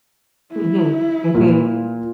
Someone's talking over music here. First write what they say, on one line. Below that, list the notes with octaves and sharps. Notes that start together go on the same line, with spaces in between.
Mhm. Mhm. Mm.
E4
A#2